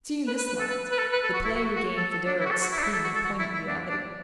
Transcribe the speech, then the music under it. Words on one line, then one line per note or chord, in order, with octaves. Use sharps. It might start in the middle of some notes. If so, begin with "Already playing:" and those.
Seen in this light, the play regained for Darrow its supreme and poignant reality.
B4
B4
B4
A4
B4
B4
A4
B4
A4
F#4
E4
F#4
F#4
A4
A4
D4
E4
F#4
A4
F#4
E4
D4
E4
A4
F#4
A4
F#4
E4
E4
D4
D4